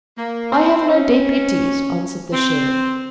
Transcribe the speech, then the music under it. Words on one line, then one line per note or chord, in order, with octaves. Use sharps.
"I have no deputies," answered the sheriff.
A#3
C4
C#4
C4